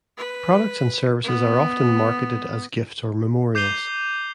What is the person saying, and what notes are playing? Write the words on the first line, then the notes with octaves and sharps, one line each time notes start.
Products and services are often marketed as gifts or memorials.
B4
B3
D6 G6 C7 D#7 F7 G7